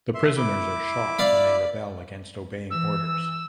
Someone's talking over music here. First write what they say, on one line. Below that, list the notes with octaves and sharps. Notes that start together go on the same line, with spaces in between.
The prisoners are shot when they rebel against obeying orders.
E5 C6
E4 D6
D5 F5 B5
E3 E6